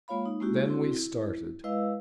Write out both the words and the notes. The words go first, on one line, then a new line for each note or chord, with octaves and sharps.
Then we started.
G#3 A#3 F4 C#5 F5 B5
D#4
G#3 A#3 C#4 E4 F#4 G4
C4 E4 F#4
E4
G#3 E4 B4 D#5 F5 E6